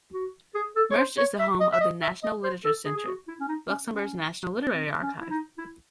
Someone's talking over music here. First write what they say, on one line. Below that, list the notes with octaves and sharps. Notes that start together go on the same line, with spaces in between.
Mersch is the home of the National Literature Centre, Luxembourg's national literary archive.
F#4
G#4
A4
C#5
C5
C#5
E5
D#5
E5
D#5
E5
D#5
C5
A4
G#4
G#4
F#4
E4
C#4
D#4
C#4
C#4
C4
C#4
E4
D#4
E4